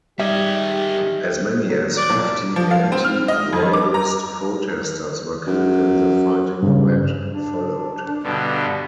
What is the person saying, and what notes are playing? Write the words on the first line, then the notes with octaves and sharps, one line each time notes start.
As many as fifty anti-royalist protesters were killed in the fighting that followed.
D#3 G3 G4 G#4 E5
F#3
D5
B1 A2
F3
F5
C4
F6
D#5
F2
D6
A#5
F#2
G2 C#3
D4
G2 B2 D3